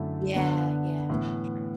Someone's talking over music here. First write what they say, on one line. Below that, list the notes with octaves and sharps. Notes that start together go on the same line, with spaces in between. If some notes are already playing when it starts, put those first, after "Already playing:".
Yeah, yeah. Sure.
Already playing: F#2 D3 A3 E4
D3 B3 D4
A2 E3 B3